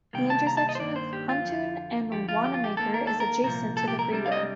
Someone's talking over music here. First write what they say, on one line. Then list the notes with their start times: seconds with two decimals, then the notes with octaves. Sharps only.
The intersection of Huntoon and Wanamaker is adjacent to the freeway.
0.13 C3 D#3 G3 A#3 G5
0.30 A5
0.47 A#5
0.57 A5
0.69 D#5
0.75 C5
0.80 G2 D#3 A#3 D4 D5
0.96 C5
1.13 G4
1.29 F4
1.45 F2 D3 F3
2.11 F2 D3 F3 G4
2.29 F4
2.44 G4
2.54 F4
2.64 G4
2.77 D#2 D#3 A#3 A4
2.94 A#4
3.07 A4
3.20 A#4
3.44 C2 A#2 F3 A#4
3.77 A4
3.88 G4
3.99 A#4
4.10 C2 C3 G3 D4
4.26 F5
4.32 D#5